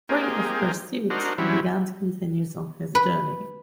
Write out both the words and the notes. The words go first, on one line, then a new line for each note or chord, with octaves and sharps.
Free of pursuit, Gant continues on his journey.
A#3 C4 D#4 G4 G#4
D4 D#4 F#4 A#4 C5
E3 F#3 G3 C4 C#4 E4
B4